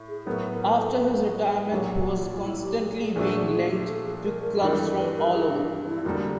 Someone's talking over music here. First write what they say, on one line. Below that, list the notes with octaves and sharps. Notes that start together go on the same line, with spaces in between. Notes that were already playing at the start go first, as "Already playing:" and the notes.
After his retirement he was constantly being linked to clubs from all over.
Already playing: A2
G#4
A2 F#3 B3 E4 A#4
B4
A#4
A#4
A4
B4
A4
G#4
B1 A#2 F#3 G4
G4
F#4
F4
E4
G4
G#4
G#4
A#2 F3 A3 D4 F#4
G4
G#4
A4
G#4
A#4
A#4
G#1 G2 E3 G3 A#4
A4
B4
A#4
G#4
D4
E4
F1 F2 D3 G3 A#3 F#4